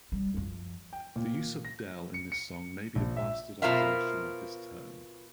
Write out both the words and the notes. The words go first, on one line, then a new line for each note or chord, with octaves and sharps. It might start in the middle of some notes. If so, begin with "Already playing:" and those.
The use of "dell" in this song may be a bastardisation of this term.
G3
F#2 F3
G5
A#2
A#6
C#7
C#7
A#1
E5
B2 F4 A#4 C5 E5 F5